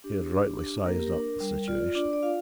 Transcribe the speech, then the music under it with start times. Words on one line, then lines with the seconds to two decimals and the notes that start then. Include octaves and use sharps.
He had rightly sized up the situation.
0.04 D4 G4
0.31 D4
0.58 D4
0.86 A#3 A#4
0.96 G4
1.07 A#4
1.13 D4
1.40 G3
1.68 F4 D5
1.95 D4 D5
2.13 D5
2.23 F4 F5